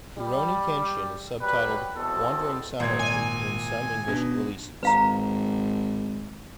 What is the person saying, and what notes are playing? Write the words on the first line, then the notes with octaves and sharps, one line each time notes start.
"Rurouni Kenshin" is subtitled "Wandering Samurai" in some English releases.
G3
F#3 G3 B4
E2 B2 C4 A4
G#1 A#2 G#6
G#5
B2 B3 D4
G#1 B4 F5 A#5